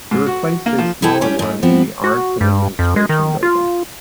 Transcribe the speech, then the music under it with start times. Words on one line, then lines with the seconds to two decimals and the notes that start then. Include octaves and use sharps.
It replaced a smaller one in the Arts and Administration building.
0.11 G#2
0.27 F#4
0.66 A#3
0.78 F3
1.02 E4 G#4 A4 G5
1.21 G3 C#4 G4
1.39 G#2 A3
1.63 F3 B3 C4
2.04 F#4
2.41 G2
2.79 F2
2.96 G#3
3.09 D#3
3.43 F4